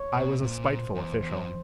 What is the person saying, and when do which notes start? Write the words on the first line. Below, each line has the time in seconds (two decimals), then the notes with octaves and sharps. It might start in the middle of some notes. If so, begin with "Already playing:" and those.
I was a spiteful official.
Already playing: C#5
0.16 B2
0.42 A#2 C5
0.95 E2
1.22 E2
1.37 F2